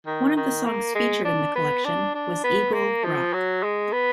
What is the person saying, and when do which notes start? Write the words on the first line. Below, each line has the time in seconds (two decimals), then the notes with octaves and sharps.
One of the songs featured in the collection was 'Eagle Rock'.
0.06 D#3
0.37 D#3
0.66 A#3
0.95 G#3
1.25 D4
1.55 B3
1.85 D4
2.14 D4
2.44 B3
2.74 A#3
3.04 F3
3.33 F#3
3.63 G#3
3.92 B3